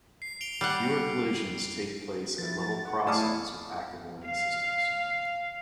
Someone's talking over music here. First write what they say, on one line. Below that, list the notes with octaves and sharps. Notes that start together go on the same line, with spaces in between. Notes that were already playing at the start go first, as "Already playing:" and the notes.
Fewer collisions take place at level crossings with active warning systems.
C7
D7 F7 G7
G3 F#5 C7
F3 E4 A6
F#5
A3 E4 G#4 C#5 D5 F5 A5 D#6
F5